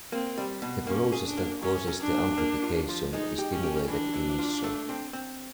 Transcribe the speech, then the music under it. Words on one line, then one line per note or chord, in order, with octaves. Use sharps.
The process that causes the amplification is stimulated emission.
A#3 C4
G3
B2
A#3 C#4
G#4
D4
A#3
F#3 C#4
F#3
D4
A#2
A#3
F4
F3
G#3 D#4
G4
C#4
G4
E3 D4
E3
F4
A3
C4
C4